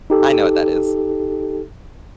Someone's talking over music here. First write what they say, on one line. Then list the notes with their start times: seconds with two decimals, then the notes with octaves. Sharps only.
I know what that is.
0.10 D#4 G4 A4